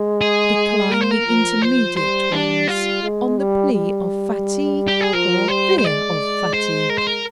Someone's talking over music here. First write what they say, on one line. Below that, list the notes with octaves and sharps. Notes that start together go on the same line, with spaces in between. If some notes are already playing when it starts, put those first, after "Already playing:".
Decline the intermediate ones, on the plea of fatigue, or fear of fatigue.
Already playing: G#3
G#4
A#3 A#4
C5
A#4
F3
F3 C5
G3 C5
G3 D4
F4
G#3
G3
G3
G4
G#4
F3 A#4
G3 C5
C5
G#3 D5
C5
A#4
C5
A#4